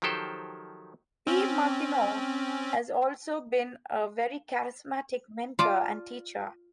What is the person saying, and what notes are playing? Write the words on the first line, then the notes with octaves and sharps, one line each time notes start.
De Martino has also been a very charismatic mentor and teacher.
D#3 F3 F#3 G4 A4 C5
C4 C#4
F4 D5 A5